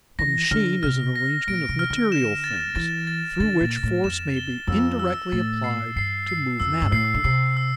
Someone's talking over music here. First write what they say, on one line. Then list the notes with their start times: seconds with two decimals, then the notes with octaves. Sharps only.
A machine is an arrangement of material things through which force may be indirectly applied to move matter.
0.19 E3 A#6
0.51 D3 F6
0.83 C3 F6
1.16 A#6
1.47 A#2 D7
1.69 C3
1.79 F6
1.90 D3
2.12 E7
2.44 A6
2.75 E3 A6
3.07 A6
3.40 D3 A6
3.61 A#2
3.71 A6
3.83 A2
4.04 F2 E7
4.37 G7
4.67 F2 E6
4.99 E6
5.32 A2 A6
5.64 C7
5.96 G2 C7
6.28 C7
6.60 F2 E6
6.82 G2
6.92 A2 C7
7.14 D3
7.24 C3 C7
7.57 E6